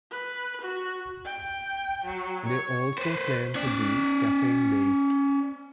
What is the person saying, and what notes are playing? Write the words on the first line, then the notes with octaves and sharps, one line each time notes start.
They also claimed to be "caffeine biased".
B4
F#4
G5
F#3
C#5
B4 C5
C#4 D5